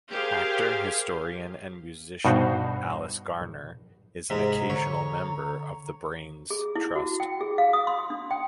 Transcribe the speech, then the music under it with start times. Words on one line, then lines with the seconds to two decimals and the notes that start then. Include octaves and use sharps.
Actor, historian and musician Alice Garner is an occasional member of the Brains Trust.
0.11 G4 G#4 A#4 C5 F5 G#5
2.25 G2 B2 D#4 F#4 C5
4.30 G#2 C3 G#3 A#5
4.70 D3 C#5
6.50 G#4
6.76 E4
6.95 F#4
7.20 G5
7.41 G#4
7.58 F5
7.73 D#6
7.87 C6
8.10 D4
8.31 G5